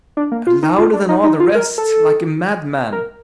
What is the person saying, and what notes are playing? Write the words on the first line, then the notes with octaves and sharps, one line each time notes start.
"Louder than all the rest; like a madman."
D4
A#3
F4
D#4
F4
D4
D#4
D#4
F4
A#4
A4
A#4